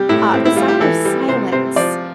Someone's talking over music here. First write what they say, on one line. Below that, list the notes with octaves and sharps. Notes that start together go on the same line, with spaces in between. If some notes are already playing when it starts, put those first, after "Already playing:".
uh, The Sound of Silence.
Already playing: C3 G3 G4
A2 E4
A2 C4
E4
G3 F4
G4
E3 A4
G3
C3 C5
C3 C5
F3 D5